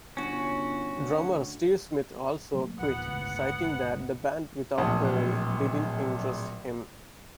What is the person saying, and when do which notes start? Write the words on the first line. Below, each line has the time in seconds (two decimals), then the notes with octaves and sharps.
Drummer Steve Smith also quit citing that the band without Perry didn't interest him.
0.17 G1 C#4 F#4
0.98 D2
2.54 F#3 A3 A#3
2.79 A#1 D#2 F3 B3 F#5
3.04 G1 C#2 A2
4.78 D1 A#1 F#5 A5 D#6